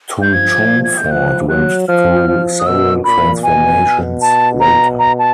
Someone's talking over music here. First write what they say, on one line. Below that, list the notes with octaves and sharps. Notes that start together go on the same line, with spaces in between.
Tung Chung Fort went through several transformations later.
G6
F3 G#6
G#6
G6
F3 F#6
F#3 F#6
F3 F6
F3
D#6
B2 E6
A#2 B5
B2 G#5
B2
A5
A#5
A#5
A5